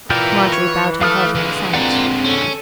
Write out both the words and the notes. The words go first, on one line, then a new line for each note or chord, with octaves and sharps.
Marjorie bowed her head in assent.
E3 E4 F4 A#4 D5 G5
C#5
A3 A4 F5 D#6 F6
D3 G#3
C4 F4 A#4 D5 F#5
C#4 A4